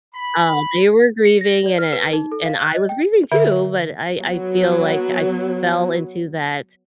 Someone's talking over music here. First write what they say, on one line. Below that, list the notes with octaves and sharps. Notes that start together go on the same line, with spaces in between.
um, they were grieving, and, uh, I and I was grieving too, but I I feel like I fell into that,
B5
C#7
A#6
D5
F6
B4
D#4
A4
F5
F#6
D#5
G5
D3 A#4 E5
F#3 B3